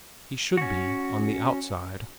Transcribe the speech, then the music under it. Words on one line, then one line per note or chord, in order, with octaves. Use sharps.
He should be on the outside.
C#4 F#4